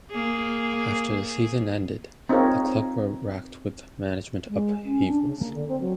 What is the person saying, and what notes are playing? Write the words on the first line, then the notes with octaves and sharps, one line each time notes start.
After the season ended, the club were wracked with management upheavals.
A#3 G#4
C4 D#4 F4 G#4 A#4 C#5
G#3
C#4
D4
C#3
A#3
D3
C4
F#3